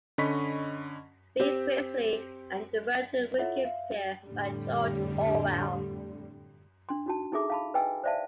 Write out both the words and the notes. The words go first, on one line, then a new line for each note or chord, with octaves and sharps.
B. Priestley and "The Road to Wigan Pier" by George Orwell.
D3 C#4 D#5 B5 C#6 B6
C4 G4
E4 F4 A4 C#5 E5 F#5
E5 F5
F2 A2 D3 G3
D4 C6
D#4 F#4 A5
D#4 E4 G#4 A4 E5 D6
F5 A5 B5
B4 D#5 G5 G#5 E6
C5 D5 E5 F5 A5